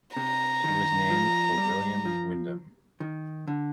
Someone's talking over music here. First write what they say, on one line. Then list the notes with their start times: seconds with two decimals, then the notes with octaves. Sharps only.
She was named for William Windom.
0.16 C3 A#5
0.64 D#3
1.10 F3
1.58 G3
2.05 F3
3.00 D#3
3.48 D3